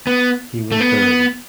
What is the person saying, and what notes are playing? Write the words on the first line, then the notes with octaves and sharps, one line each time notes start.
He was buried.
B3
A3
B3